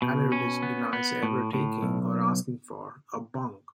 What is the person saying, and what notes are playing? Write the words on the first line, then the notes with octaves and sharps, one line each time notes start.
Allardyce denies ever taking, or asking for, a "bung".
B2
C#4
B3
B3
A2
A2
B1